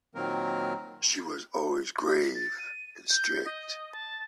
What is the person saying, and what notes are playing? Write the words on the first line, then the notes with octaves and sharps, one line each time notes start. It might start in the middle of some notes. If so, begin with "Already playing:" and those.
She was always grave and strict.
A#2 D#3 F#3 A#3 C4 A#4
A6
D#7
G6
D#5
A5